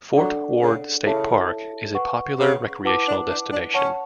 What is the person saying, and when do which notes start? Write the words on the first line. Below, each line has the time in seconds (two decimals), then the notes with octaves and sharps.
Fort Ward State Park is a popular recreational destination.
0.16 F#3 D4 A4 D5 F#5
0.60 C#3
1.05 C#3 E4 A4 C#5 E5 A5
1.94 B4 F#5 C#6
2.39 C#3
2.84 E4 B4 F#5 A5 D6
3.07 D4
3.29 D4
3.51 D4
3.73 C#4 C#5 F#5 A5